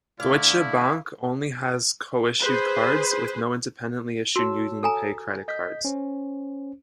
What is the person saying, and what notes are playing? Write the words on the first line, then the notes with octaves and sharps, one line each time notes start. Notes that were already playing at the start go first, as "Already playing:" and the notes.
Deutsche Bank only has co-issued cards, with no independently issued UnionPay credit cards.
D3 A3 E4 D5 F5
G#4 B4 C5
F#4 C#5 A5 E6
A4 G#5 A#5
D#5 G6 B6
C#4 C5